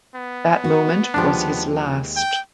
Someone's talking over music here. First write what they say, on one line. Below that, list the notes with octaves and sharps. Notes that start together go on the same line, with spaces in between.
That moment was his last.
B3
F#4
D#2 F3 G#3 D4 G4
G5